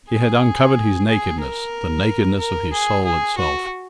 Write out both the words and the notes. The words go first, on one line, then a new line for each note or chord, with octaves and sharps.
He had uncovered his nakedness--the nakedness of his soul itself.
G#4
G#4
A#4
A#4
G#4
G#4
F#4